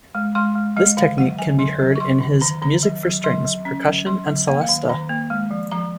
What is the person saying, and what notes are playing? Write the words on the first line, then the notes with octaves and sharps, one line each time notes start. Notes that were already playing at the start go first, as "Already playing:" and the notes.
This technique can be heard in his "Music for Strings, Percussion and Celesta".
G#3
G#3 C6
G#3
G#3 D#5
D#3 F5
F#3 F#5
F#3 G#5
F#3 C6
F#3
C#6
F#3 C6
D#3
D#3 A#5
D#3 A#5
F#3
F#3
F#3 C6
F#3
C#4
F#3
F#3 C6
F#3
A#3 F#5
F5
D#3
D#3 A#5
A#3
G#3
F3
F3 A#5